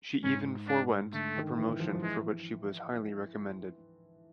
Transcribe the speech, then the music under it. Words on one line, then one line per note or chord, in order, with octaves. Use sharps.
She even forwent a promotion for which she was highly recommended.
G#2 C#4
D4
D3 A3
D#3
E3
F3
F3
E3 G#3